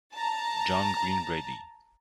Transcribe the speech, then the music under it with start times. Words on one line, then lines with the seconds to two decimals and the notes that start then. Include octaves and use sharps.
John Green Brady.
0.14 A5 A#5